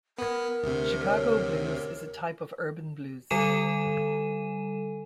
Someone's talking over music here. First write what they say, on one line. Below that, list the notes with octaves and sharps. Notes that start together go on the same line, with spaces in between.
Chicago blues is a type of urban blues.
B3 A#4
D2 C3
C#5
D3 G3 A4 G#5 D#7 E7